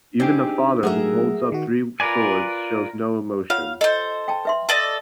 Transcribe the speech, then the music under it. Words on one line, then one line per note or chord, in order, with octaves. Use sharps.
Even the father, who holds up three swords, shows no emotion.
C4 D4 D#4 G4 G#4
F#3 A3 G#4 A#4 E5 F#5
D#3 F#4
F4 A#4 B4 D5 G#5
F4 C#5 F5 F#5
A4 C5 D#5
G5 A5
B4 E5 C6
A4 D5 D#5